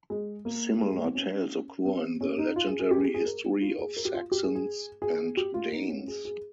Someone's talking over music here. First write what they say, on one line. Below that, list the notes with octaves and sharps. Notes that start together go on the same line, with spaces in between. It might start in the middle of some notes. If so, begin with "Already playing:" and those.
Similar tales occur in the legendary history of Saxons and Danes.
G#3
A#3
G#3
G#3
A#3
C4
C#4
C4
C#4
D#4
F4
G#4
G#4
G4
G#4
G4
G#4
A#4
F4
G#4
A#4
G4
F4
G4
G#4
G#4
G#4
G4
F4
D#4
C#4
G#4
G#4